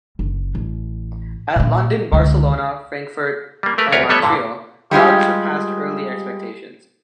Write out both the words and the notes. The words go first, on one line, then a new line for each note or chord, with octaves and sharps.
At London, Barcelona, Frankfurt and Montreal, crowds surpassed early expectations.
F#1
A1
A#2 A#3
C#2 D3
G3 A#3
A3 A#4 B4
D2 F4 A#4 B4 C#5 F#5
G3 A3 B3 A4 B4 C#5
G2 A#2 D3
G3 G#3 F4 G4